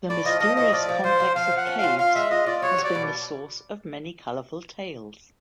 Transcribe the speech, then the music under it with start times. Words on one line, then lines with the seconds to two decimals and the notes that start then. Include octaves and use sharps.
The mysterious complex of caves has been the source of many colorful tales.
0.09 A2 D5
0.25 F3 D#5
0.40 F3 D#5
0.57 A2 D#5
0.73 F3 D5
0.89 F3
1.04 F3 C5
1.20 F3
1.36 F3 F5
1.51 F3
1.57 F#5
1.67 C#4
1.78 F5
1.83 F4
1.99 F4 F5
2.15 G#3 E5
2.31 F4 D#5
2.46 F4 D5
2.62 F#3 C#5
2.78 F#3
2.84 D5
2.95 B2